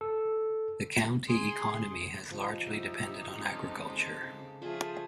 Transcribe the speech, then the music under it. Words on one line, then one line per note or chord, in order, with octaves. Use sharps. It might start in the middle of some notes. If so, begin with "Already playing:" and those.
The county economy has largely depended on agriculture.
A4
G#4 C6
F3 D#4 G4
E4
G#3 C4 C#4 A4
C#3
F3 A3 F4 G#4